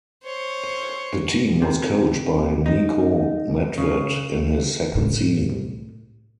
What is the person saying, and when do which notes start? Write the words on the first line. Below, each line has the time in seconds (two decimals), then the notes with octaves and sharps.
The team was coached by Niko Medved in his second season.
0.24 C5 C#5
1.62 C3
2.66 D#4
3.78 C#3
4.95 A2